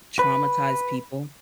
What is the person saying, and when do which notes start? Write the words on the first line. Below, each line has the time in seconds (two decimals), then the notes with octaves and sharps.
Traumatized people.
0.19 B4